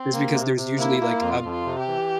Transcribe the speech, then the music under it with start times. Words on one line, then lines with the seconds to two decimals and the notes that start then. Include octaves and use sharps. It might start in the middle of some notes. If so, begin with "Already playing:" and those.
It's because there's usually, like, um
Already playing: C4
0.13 A#3
0.34 C3
0.56 C3
0.78 A#3 E4
1.00 A#3
1.22 F2 F4
1.44 F2
1.51 F4
1.66 C3
1.79 G4
1.88 E3